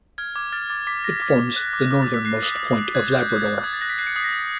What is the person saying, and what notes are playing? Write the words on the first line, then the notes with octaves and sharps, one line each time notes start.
It forms the northernmost point of Labrador.
F6 G#6
D6 G#6
F6 A6
D6 A6
D6 B6
D6 A#6
D6
D6
F#6
D6
D6
A6
D6
B6
F#6 C7
D#6
D#6
F#6
F#6 G#6
F#6 G6
F#6
F#6
D#6 G#6
A6
F#6 A#6
B6
F#6 C7
C#7
D#6 C7
A#6
D#6